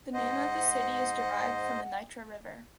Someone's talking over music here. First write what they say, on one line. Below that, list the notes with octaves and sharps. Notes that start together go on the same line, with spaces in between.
The name of the city is derived from the Nitra river.
G#2 C5 D#5 F#5